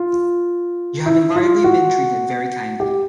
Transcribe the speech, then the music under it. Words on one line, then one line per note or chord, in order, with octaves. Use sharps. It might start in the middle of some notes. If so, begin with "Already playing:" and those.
You have invariably been treated very kindly.
Already playing: F4
E4
F4
F#4
G4